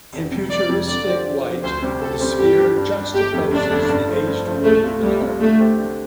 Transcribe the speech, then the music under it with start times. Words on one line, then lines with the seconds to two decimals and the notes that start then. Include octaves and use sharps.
In futuristic white, the sphere juxtaposes the aged wood of the cart.
0.13 F1
0.31 F2 C3
0.50 F1 D5
0.69 F2 C3
0.88 D3 D5
1.07 F3 C4 G4
1.26 D3
1.44 F3 C4 G4
1.63 D2 C5
1.82 C3 G3 C4 G4
2.01 D2 A4
2.20 C3 G3 C4 G4
2.39 G2 G4
2.58 G3 D4
2.77 G2
2.95 G3 D4
3.14 G1 G4
3.33 F2 D3 A3
3.52 G1 D4
3.71 F2 D3 A3
3.89 G2
4.08 F3 A3 C4
4.27 G2
4.46 F3 A3 C4
4.64 C2 A3
4.84 C3 A3 F4
5.03 C2 G3
5.21 C3 A3 F4
5.40 D3 A3
5.59 A3 C4 G4
5.78 D3